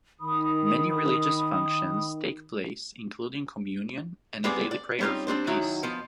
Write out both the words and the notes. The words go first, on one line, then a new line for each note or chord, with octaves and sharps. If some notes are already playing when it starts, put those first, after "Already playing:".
Many religious functions take place including communion and a daily prayer for peace.
D#3 B5 D#6
G3 G#3 B3 C4 G#4 D5
D5
G3 C4 C#4 D#4 F4
G3 C4 D4 C5
F#2 D#3 F#3 D#4 E4 C#5
F3 B3 D#5